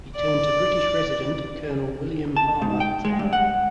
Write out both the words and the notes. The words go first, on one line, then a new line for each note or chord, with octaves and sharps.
He turned to British resident Colonel William Palmer for help.
D5
A5
G#2
G5
G#3
G2
F#5